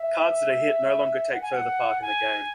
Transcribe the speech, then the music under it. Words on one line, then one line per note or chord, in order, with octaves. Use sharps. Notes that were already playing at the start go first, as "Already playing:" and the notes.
Cards that are "hit" no longer take further part in the game.
Already playing: E5
F#5
G#5
F#5
G#5